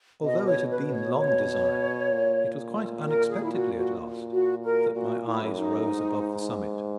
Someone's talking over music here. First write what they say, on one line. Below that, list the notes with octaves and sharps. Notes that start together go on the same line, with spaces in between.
Although it had been long desired, it was quite unexpectedly at last that my eyes rose above the summit.
B2 D#5
C#5
B4
B4
C#5
C#5
A#2
A#4
G#4
E4
F#4
F#4
A#2
F#4
A#4
A#2 F#4
E4
F#2
D#4
G#2